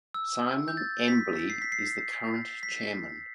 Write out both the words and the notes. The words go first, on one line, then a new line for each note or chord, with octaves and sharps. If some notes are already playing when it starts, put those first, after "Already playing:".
Simon Embley is the current Chairman.
E6
G6
A6
B6
C7
B6
C7
B6